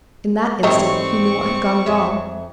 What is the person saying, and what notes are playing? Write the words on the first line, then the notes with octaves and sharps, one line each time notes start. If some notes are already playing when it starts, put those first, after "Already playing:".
In that instant, he knew what had gone wrong.
G#2 E3 G3 A3 C4 C#5 D#5 C#6
F2 C#5 E5